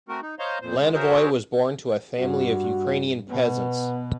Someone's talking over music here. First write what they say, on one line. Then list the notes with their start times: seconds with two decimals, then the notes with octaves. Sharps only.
Lanovoy was born to a family of Ukrainian peasants.
0.09 A3 C4 F#4 A#4
0.22 D#4
0.39 C5 C#5 D#5 F5 A#5 C6
0.62 F2 A#2 C5
0.79 D3 G#3
0.94 F#4 G#4 A#4 C5 C#5 E5
2.18 G2 F#4
3.30 B2 B3